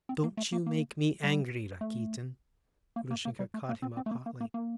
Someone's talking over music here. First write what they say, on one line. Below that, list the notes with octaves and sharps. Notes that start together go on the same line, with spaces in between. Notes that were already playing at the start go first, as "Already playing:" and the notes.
"Don't you make me angry, Rakitin." Grushenka caught him up hotly.
C4
A#3
A3
A#3
A#3
G3
A3
A#3
A#3
A#3
G3
A3
A#3
C4
C4
A3
A#3
A#3
A#3
A#3